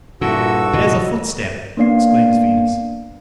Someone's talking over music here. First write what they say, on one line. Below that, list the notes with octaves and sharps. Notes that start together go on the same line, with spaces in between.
'There's a footstep!' exclaims Venus.
G2 A#2 E4 F#4 A4 E6
C2 A#2 E3 D#5
A#3 B3 D4 D5 F5 C7